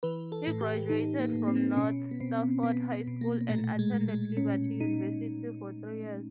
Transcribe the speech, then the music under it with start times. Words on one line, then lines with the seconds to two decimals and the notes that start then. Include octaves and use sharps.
He graduated from North Stafford High School and attended Liberty University for three years.
0.03 E3 B4
0.32 A4
0.47 A2
0.61 G4
0.89 A2 D#4
1.19 A#3
1.33 A2
1.48 C4
1.76 B2 C#4
2.11 B3
2.20 B2 C4
2.63 B2 B3
2.92 B3
3.07 B2
3.21 A#3
3.50 A#2 A3
3.79 G#3
3.93 A#2
4.08 G#3
4.37 A#2 C#4
4.80 A#2 D#4